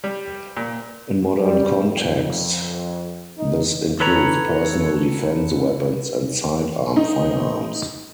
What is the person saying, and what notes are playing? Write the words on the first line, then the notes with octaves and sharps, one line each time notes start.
In modern contexts, this includes personal defense weapons and side arm firearms.
G3
A#2
G3
F2
D#4
A4 B4 C#5 A#5
D#4